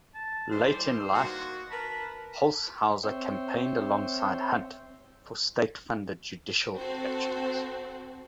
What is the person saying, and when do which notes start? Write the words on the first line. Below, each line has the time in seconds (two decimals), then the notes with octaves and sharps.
Late in life, Holshouser campaigned alongside Hunt for state-funded judicial elections.
0.14 A5
0.51 E3 G3 C5
1.13 D#3 A#3 F#4
1.71 A#4 B4 A5 B5
3.03 C4 C5 C#5 E5 G5
6.76 C4 F#4 A4 C5